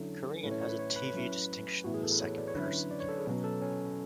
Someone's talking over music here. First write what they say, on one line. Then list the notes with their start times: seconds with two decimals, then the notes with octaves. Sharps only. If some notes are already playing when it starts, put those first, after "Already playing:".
Korean has a T-V distinction in the second person.
Already playing: D3 F#3 C#4 E4 A4
0.43 A2 E3 A3 C#4 B4
0.51 C#5
0.61 C#5
0.69 B4
0.79 C#5
0.96 B4
1.14 F#3 C#4 E4
1.84 A2 E3 B3 E4 F#4
1.94 G#4
2.03 A4
2.12 B4
2.20 C#5
2.38 D5
2.48 C#5
2.55 D3 F#3 C#4 E4 B4
2.66 C#5
2.91 D5
3.00 C#5
3.08 A4
3.18 G#4
3.27 B2 F#3 B3 C#4
3.44 A4
3.62 C#4